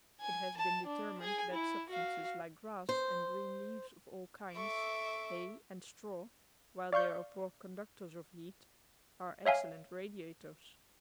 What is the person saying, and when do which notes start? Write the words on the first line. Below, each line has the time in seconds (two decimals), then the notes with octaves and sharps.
It has been determined that substances like grass and green leaves of all kinds, hay and straw, while they are poor conductors of heat, are excellent radiators.
0.21 G#5
0.57 A5
0.86 D4
1.21 G#4 G#5
1.52 E4
1.90 F#4 F5
2.89 C5
4.54 A4 E5 C#6 D6
6.93 D5 F5 C#6 G6
9.45 C#5 E5 F5 G#5